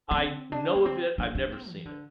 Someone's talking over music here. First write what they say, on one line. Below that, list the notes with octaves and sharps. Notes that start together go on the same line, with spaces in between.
I know of it. I've never seen it.
D4
C4
D4
A#3
C4
D4
D4
C4
E3
D3